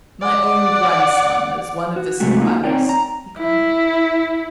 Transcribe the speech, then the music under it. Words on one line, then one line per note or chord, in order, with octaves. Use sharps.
"My own grandson is one of the survivors," he cried.
D5 F#5
F#4
C3 F#3 G#3 A3 F#4 G4
A#3 D#4 F4 F#4
C4 D#4 C#5 D5 G5
A#5
E4